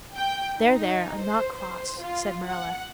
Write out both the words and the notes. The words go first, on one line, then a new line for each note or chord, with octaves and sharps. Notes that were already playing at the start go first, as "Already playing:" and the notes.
"There, there, I'm not cross," said Marilla.
G5
D#4
C5
C5
F4
F#5